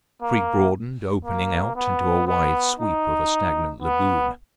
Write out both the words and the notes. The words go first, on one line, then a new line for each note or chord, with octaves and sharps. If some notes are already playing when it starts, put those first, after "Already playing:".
The creek broadened, opening out into a wide sweep of a stagnant lagoon.
A#3
A#3
B3
B3
D#4
B3